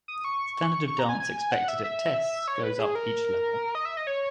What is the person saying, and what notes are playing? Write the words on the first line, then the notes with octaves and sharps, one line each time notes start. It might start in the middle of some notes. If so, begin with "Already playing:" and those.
Standard of dance expected at tests goes up at each level.
D#6
C#6
C#6
A#5
G#5
G#5
F#5
E5
E5
C#5
B4
G#4
A#4
D#5
E5
D#5
C#5